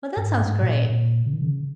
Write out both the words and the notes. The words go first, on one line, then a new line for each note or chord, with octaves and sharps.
Well, that sounds great.
G#2
G#2
B2
A#2
A#2
C#3
D#3
C#3